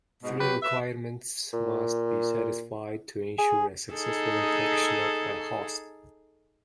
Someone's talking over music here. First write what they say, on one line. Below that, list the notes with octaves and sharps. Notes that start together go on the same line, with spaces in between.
Three requirements must be satisfied to ensure a successful infection of a host.
G#2 B2
F#3 G4 B4
B4 E5
A#2
G#4
D#4 G#4 A4